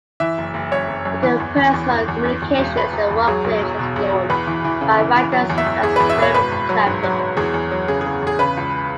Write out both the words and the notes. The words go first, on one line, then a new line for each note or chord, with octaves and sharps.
Interpersonal communications in the workplace are explored by writers such as Phillip Clampitt.
E3 E5
F#1
F#1
F#2 C#5
F#1
F#2
E3
E2
E2
E2
E2
E2
E2
E2
E1
E1 B4
E1
E2
F#3 G#4
B1
B1
B2
B1
B1
E2 B4
E3
E3
C#3
E3
E3
F#3
E2
E5
E2
E2 G#4
E2 B4
E5
B2 C#5
G#1 B4
G#1
F#3
G#2
F#3
F#3
E2 G#4
E2
F#3
C#3 G#4
C#3 G#4
E2 G#4
C#3 B4
C#2